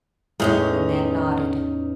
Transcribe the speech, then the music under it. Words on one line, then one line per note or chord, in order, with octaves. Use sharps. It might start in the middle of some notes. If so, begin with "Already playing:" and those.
The man nodded.
E2 A2 G#3 C#4 D#4 F5